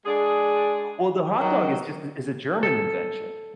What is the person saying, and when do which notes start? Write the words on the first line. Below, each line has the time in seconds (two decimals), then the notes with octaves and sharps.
Well, the hot dog is just a is a German invention.
0.05 G#3 D4 G#4
1.40 D#3 F#3
2.63 A4